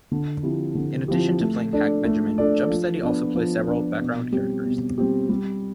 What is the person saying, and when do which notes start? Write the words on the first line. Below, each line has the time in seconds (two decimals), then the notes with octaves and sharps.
In addition to playing Hack Benjamin, Jumpsteady also plays several background characters.
0.12 D3
0.43 F3 C4 E4 G4
0.75 D3
1.08 F3 C4 E4 G4
1.41 A3
1.73 D4 A4 D5
2.05 A3
2.38 D4 A4 D5
2.70 F3
3.03 B3 D4
3.35 F3
3.68 B3 D4
4.00 B2
4.32 G3 C4 G4
4.65 B2
4.98 G3 C4 G4
5.29 G3